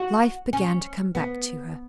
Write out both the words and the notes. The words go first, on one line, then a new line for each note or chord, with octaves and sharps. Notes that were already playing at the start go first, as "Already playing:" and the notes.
Life began to come back to her.
Already playing: F#4
C#4
B3